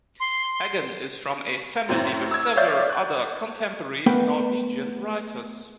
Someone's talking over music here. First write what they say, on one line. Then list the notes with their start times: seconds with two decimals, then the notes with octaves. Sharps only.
Eggen is from a family with several other contemporary Norwegian writers.
0.20 C6
1.89 F#2 A2 C4
2.31 E6 G#6
2.56 C#5 D5 E5 F5 G6 A6
2.90 F#6
4.06 A3 B3 A#4 B4 F#5 G5